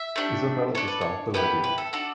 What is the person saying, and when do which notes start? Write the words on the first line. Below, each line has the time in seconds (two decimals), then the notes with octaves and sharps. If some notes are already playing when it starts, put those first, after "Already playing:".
Isabel is the star of the video.
Already playing: E5
0.16 A3 D4 G4
0.75 D4 A4 C#5
0.88 B4
1.01 C#5
1.34 B3 E4 G4 B4
1.64 B4
1.78 A4
1.93 D4 F#4 A4